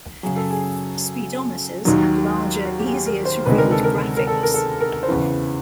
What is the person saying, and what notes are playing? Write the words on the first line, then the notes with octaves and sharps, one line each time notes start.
Speedometers had larger, easier-to-read graphics.
F#2 C#3 F#3 G#4
A4
G#4
D#2 D#3 F#3
F#4
G4
G#4
A#4
C5
D2 C3 D#3 G#3 B4
A#4
A4
A#4
A#4
A4
A#4
A4
A#4
C5
E2 C#3 E3 B4